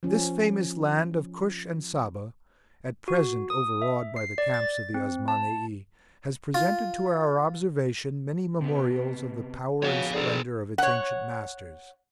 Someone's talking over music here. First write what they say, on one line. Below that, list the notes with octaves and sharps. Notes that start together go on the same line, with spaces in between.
This famous land of Cush and Saba, at present overawed by the camps of the Osmanii, has presented to our observation many memorials of the power and splendor of its ancient masters.
F3 C#4
F#4
D#6
E5
C7
D5
A6
C4
A5
F4
C3 B3
F3 F#3 B3 F#4 C#5 F5
D3 G#4 A#4
C#5 F#5